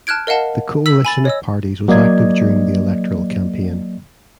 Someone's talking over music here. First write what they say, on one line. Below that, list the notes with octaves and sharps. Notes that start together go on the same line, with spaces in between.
The coalition of parties was active during the electoral campaign.
A5 F6 F#6 G#6 D7
A#4 D#5 F5 F#5 A5
E6 B6 F#7
G#5 B5 A6
C#5 D#5 E6
F#3 A#3 D5 D#5 G#6